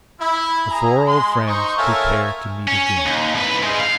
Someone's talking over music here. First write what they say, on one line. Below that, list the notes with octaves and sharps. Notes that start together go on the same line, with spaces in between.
The four old Friends prepare to meet again.
E4
G#4 A#5
G#3 C6
D#4 C5 C#6
A4 A#4 C#5 E5 F5 G#5
C#4
D#2
C2 B4
G#3 D#4
F5